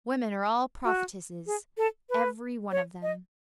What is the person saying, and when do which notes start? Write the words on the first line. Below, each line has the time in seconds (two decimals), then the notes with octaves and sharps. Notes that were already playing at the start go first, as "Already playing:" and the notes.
Women are all prophetesses, every one of them.'
0.85 F#4
1.46 G#4
1.77 A4
2.10 B4
2.72 C#5
3.02 D#5